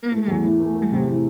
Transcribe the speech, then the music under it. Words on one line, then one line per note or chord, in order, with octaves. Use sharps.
Mhm. Mhm.
A3
E2
E3
A3
A3
C3
E3